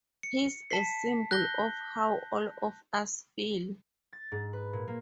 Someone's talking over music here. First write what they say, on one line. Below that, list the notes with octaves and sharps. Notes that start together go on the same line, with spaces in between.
He's a symbol of how all of us feel.
C#7
A5 B6 C7
F#6 G6 A#6 G7
A6
G#2
B4
A#2
A#3